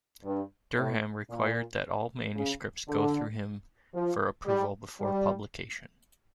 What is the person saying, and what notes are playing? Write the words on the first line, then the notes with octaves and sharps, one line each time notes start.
Durham required that all manuscripts go through him for approval before publication.
G2
A2
A#2
C#3
D3
F3
G3
G3